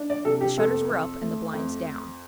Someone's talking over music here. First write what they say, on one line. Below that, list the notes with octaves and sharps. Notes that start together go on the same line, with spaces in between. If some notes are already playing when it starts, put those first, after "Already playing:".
The shutters were up and the blinds down.
Already playing: D4
D5
C3 A4
G4
F2 A4
F2
A3
F2